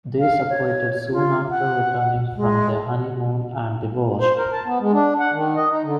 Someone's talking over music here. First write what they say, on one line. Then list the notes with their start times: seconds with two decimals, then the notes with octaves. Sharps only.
They separated soon after returning from their honeymoon and divorced.
0.19 F5
0.50 C#5
1.11 F4
1.50 F#5
2.36 G#3
4.21 C5
4.37 A#4
4.52 A5
4.65 B3
4.80 G#3
4.93 D4
5.19 F#5
5.33 D#3
5.56 D#5
5.70 D#4
5.84 D3